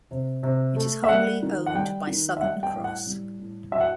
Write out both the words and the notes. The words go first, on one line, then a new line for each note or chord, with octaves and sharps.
It is wholly owned by Southern Cross.
C3
C3
A3
E5
G3 F#5
D#3
F#5
G3 G5
D#3
E5
G3 F#5
G5
A2
F#5
G3
A2
F#3 E5
F#5